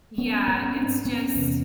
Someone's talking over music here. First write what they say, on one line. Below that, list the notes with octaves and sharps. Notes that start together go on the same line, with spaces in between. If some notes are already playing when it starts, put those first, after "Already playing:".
Yeah, it's just
B3 C#4
G#2 B3 C#4
C4 D4
B3 C#4
E2 C3